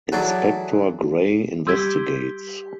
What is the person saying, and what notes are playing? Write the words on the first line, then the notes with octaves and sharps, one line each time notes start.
Inspector Grey investigates.
E3 F#3 F#4 G#4 A4 D5
G3 G4 C6 E6 G#6 B6